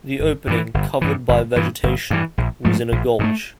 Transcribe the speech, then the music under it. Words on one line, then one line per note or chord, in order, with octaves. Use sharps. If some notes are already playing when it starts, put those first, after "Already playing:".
The opening, covered by vegetation, was in a gulch.
G1
G2 E3
G1
G2 E3
G1
G2 E3
G1
G2 E3
A#1
G#2 F3 A3
A#1
G#2 F3 A3